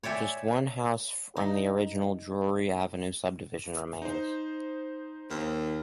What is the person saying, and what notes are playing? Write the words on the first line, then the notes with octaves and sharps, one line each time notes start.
Just one house from the original Drewry Avenue subdivision remains.
C#5 D5 E5 G5 G#5
D#4
D#4 C5
D#2